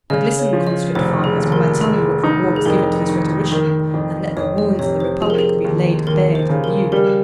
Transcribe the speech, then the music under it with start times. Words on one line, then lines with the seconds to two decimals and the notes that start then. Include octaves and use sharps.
But listen, Conscript Fathers, while I tell you what reward was given to this rhetorician, and let the wounds of the republic be laid bare to view.
0.10 C#3 D#5
0.39 C#5
0.53 F3
0.67 D#5
0.95 F1 C5
1.24 G#4
1.38 D#2
1.52 A#4
1.81 G#3 G#4
2.24 D#4
2.56 G#4
2.65 F2 A#4
3.09 D#3
3.51 D#3 A#4
3.94 F2
4.37 F2 C#5
4.58 D#5
4.79 C3 C#5
5.00 C5
5.22 F3 G#4
5.30 A#4
5.39 G#4
5.64 D#2
6.07 D#2 A#4
6.35 C5
6.50 C#3
6.64 A#4
6.92 G3 A#4